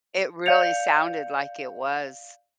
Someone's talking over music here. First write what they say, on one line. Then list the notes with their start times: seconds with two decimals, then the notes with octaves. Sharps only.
It really sounded like it was,
0.46 D5 F5 G6 C#7 F7